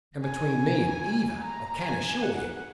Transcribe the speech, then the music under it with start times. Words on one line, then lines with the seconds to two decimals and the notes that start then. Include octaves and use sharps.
"And between me and Eva, I can assure you."
0.24 G#5
1.42 A#5
1.84 G#5
2.23 F#5